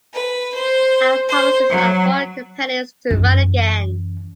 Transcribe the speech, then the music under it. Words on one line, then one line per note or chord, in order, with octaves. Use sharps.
Our promises are for companies to run again.
B4
C5
C5
F#3
F#2 E3